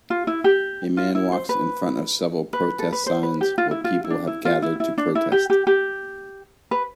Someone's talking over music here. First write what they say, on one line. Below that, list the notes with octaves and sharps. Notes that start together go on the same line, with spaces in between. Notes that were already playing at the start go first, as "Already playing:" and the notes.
A man walks in front of several protest signs where people have gathered to protest.
F4
E4
G4
F4
E4
C5
B4
B4
A4
B4
C5
B4
G4
F4
E4
F4
E4
D4
E4
F4
E4
E4
D4
E4
G4
G4
G4
B4